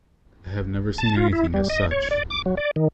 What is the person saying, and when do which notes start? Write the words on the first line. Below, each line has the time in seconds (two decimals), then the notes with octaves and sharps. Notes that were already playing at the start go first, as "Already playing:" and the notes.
I have never seen anything as such.
0.98 A5
1.17 F4
1.33 E4
1.54 G3
1.70 D#5
1.91 C#5
2.11 D5
2.30 D6
2.46 F#3
2.57 D5
2.76 D#3